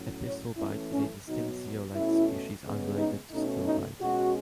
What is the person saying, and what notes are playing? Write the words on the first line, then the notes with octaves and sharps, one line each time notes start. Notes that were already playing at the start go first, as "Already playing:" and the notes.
Epistilbite is a distinct zeolite species unrelated to stilbite.
Already playing: A2 F#3 C#4
C#5
E3 A3 C#4 E4
C#4
B2 F#3 B3 D#4
B2 A3 C#4 E4
C#3 G#3 B3
D#4
B2 A3 C#4 D#4
D#4
B2 G#3 C#4 F#4